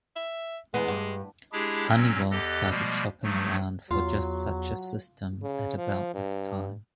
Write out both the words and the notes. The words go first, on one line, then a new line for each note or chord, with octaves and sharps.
Honeywell started shopping around for just such a system at about this time.
E5
E2 G#3 B3
G2
G#3 D4 E4 G4 G#4
A#2 F#3 C4 C#4
E2 G4 A4 D#5 F#6 A6
B2 F3 G3 G#3 A#3
G2 F3 F#3 A3
E2 F#3 F4
C#3
F3
G2